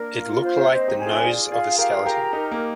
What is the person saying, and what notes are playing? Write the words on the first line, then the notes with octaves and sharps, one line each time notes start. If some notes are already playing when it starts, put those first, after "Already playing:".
It looked like the nose of a skeleton.
Already playing: A#3 D4 A#4
F4
C5
C4 D#5
D#4 G4
G#5
F4 G#4
F4 G#4 D5
F4 G#4 F5
G4 A#4 F5
G4 A#4 A#5
D#4 G4 A#4
A#3